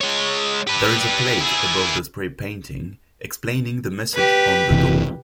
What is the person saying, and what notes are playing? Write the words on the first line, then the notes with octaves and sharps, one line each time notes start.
There is a plaque above the spray-painting, explaining the message on the door.
G#3 C#5
G4 B4
E4 G#4
G4 B4
F#1 C3 E3